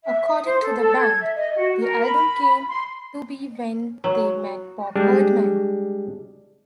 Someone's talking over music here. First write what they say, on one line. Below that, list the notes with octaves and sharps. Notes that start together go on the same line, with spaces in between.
According to the band, the album came to be when they met Bob Herdman.
E5
D#6
C5
A4
A4
G#6
E5
D#5
F#4
A#4
B5
C6
F#3
G3 G#3 D4